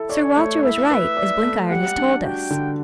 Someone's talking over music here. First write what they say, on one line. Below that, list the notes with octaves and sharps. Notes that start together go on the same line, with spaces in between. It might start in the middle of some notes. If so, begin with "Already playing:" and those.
'Sir Walter was right, as Blenkiron has told us.
Already playing: E4 A4
C#5 D5
A3
E4 E5
B4
D5
A3
G3 F#5
D4
F#4 G5
D3